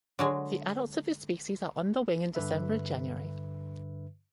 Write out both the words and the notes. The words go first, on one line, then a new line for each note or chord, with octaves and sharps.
The adults of this species are on the wing in December and January.
D3 F#3 G#3
G2 D3 B4 E5